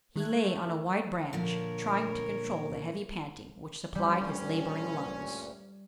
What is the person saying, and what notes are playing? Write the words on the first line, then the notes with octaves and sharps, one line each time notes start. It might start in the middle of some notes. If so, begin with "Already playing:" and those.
He lay on a wide branch trying to control the heavy panting which supplied his laboring lungs.
D#3 A3 F#6 G#6
A#2 D3 F3 A#4 C#5
D2 G2 A#2 G3 C#4